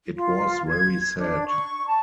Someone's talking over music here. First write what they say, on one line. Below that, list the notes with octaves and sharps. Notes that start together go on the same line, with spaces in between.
It was very sad.
F4
G#6
D4
C#6
A5